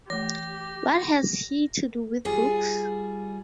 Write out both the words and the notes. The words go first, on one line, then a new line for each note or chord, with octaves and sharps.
What has he to do with books?
E3 A3 G4 A#6
G3 F4 G#4